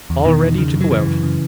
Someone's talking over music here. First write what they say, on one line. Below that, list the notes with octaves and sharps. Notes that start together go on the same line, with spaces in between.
"All ready to go out."
E2
B2 D#3
E2
C#3
F#2
F#3
C#3 E3
F#2
C#3